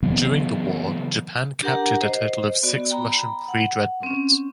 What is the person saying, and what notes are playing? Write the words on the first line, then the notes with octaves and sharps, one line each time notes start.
During the war, Japan captured a total of six Russian pre-dreadnoughts.
C#3 E3 F#3 B3
D4 G4 A#4 F#5 A#5
C5 D#5
B3 F#4 D5
G5 A#5 B5
F#5
C4 C#4